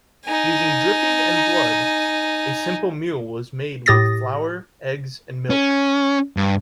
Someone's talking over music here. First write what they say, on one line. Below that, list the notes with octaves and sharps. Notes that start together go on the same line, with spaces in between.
Using dripping and blood, a simple meal was made with flour, eggs and milk.
D#4 G#5
A2 G4 D#6 A6 A#6
C#4
G2